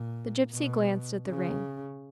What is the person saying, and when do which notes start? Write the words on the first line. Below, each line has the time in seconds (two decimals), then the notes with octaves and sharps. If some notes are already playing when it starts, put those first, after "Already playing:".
The gipsy glanced at the ring.
Already playing: A#2
0.53 B2
1.28 C#3